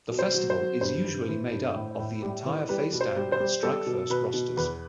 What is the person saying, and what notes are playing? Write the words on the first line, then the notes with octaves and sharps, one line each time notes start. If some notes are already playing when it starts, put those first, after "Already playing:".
The festival is usually made up of the entire Facedown and Strike First rosters.
B2
C5
F#3
C5
F#3
G2 C5
G2
E3
G2
A2
A2
G3
E3
G3 B4
B2
C5
G3
C5
G3
G3 A4
B2
B2 B4
B2
E2 B4